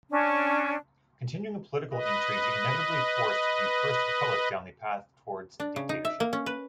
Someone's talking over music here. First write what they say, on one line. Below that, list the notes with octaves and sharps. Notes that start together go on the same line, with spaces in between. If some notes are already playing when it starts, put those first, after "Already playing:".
Continuing political intrigues inevitably forced the first Republic down the path towards dictatorship.
C#4 D4
B4 D#5
D4
C#3
D#4
E5
A#3
C#4
B4